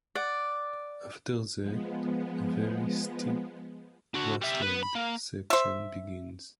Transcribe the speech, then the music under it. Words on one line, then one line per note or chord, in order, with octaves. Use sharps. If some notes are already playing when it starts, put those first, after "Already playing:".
After that, a very steep grassland section begins.
D5 F#5
F3 G#3 B3
D4 F#4
G3 E5
B3 B4
B5
A#3
C5 E5